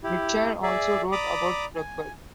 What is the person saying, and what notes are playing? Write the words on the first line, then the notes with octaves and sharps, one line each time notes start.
Mitchell also wrote about rugby.
E4 G4
G#4 D5 E5
D5 A#5 B5 D6 D#6
G#5